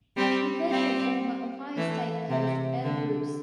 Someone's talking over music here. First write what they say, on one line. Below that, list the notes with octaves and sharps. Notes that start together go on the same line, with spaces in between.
He played for former Ohio State coach Earle Bruce.
G3 C4
G3 C4
E3 A3
C3
D3